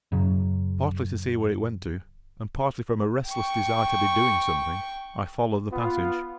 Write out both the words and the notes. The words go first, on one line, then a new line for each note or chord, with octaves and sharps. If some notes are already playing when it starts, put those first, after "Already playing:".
Partly to see where it went to, and partly from a restless desire to be doing something, I followed the passage.
F#2 C#3 F#3
G5 C#6
B3 F4